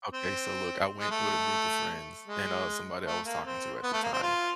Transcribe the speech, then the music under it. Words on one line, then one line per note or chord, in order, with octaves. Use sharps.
Okay, so look, I went with a group of friends and, uh, somebody I was talking to at the time.
C4
G#3
A3
G#3
A3
A#3
C4
B3
A3
A#3
C4
F4